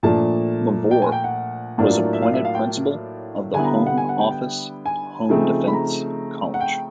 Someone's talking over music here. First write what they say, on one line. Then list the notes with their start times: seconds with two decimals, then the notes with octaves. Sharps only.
Mavor was appointed Principal of the Home Office Home Defence College.
0.03 A#2 F3 A3 D4 A5
0.91 G5
1.02 G#5
1.12 G5
1.24 F#5
1.78 A2 F#3 A#3 D4 F4
2.13 E5
2.22 F5
2.34 E5
2.45 F5
2.55 G5
3.53 D3 G3 B3 E4 G#5
3.65 A#5
3.75 F5
3.87 F#5
3.98 G#5
4.09 F#5
4.20 G5
4.31 G5
4.86 G#5
5.29 C#3 F3 A3 C4 D#4
5.67 B5
5.73 A#5
6.54 F#5
6.61 G5